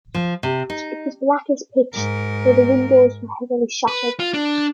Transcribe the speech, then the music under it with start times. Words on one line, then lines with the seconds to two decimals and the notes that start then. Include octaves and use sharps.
It was black as pitch, for the windows were heavily shuttered.
0.14 F3
0.43 C3
0.70 D#4
1.94 G#2 A#4
3.88 B4
4.20 F4
4.34 D4